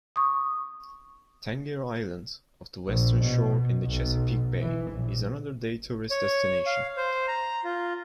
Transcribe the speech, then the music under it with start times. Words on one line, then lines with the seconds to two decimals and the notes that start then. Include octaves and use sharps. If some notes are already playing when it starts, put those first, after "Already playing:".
Tangier Island, off the western shore in the Chesapeake Bay, is another day-tourist destination.
0.16 C#6 D#6
2.86 A#1
3.23 B2
3.85 B1
4.61 E3
4.91 A#1
6.11 C#5
6.66 F5
6.97 C5
7.28 A#5
7.64 F4